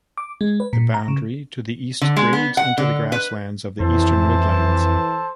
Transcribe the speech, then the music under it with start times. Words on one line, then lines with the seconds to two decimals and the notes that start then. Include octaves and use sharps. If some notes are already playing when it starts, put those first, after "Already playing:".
The boundary to the east grades into the grasslands of the Eastern Midlands.
0.18 D6
0.41 G#3
0.60 B4
0.73 A#2
0.94 A#5
1.08 C#3
2.01 D3
2.17 G#3
2.33 B3
2.57 F#5
2.78 D3
3.12 B4
3.80 F2 E3 A4 C5 A5